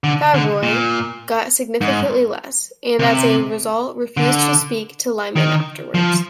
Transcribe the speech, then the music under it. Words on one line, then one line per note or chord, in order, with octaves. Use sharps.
Favreau got significantly less, and as a result refused to speak to Liman afterwards.
D3
D3
A#2
G#2
C3
D3
D#3
F3